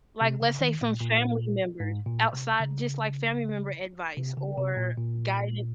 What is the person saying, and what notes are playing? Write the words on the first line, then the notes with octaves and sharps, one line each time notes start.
like, let's say some family members outside just, like, family member advice or guidan
C3
C#3
D#3
A#2
A#2
G#2
A#2
C3
C#3
C3
C#3
C3
A#2
A#2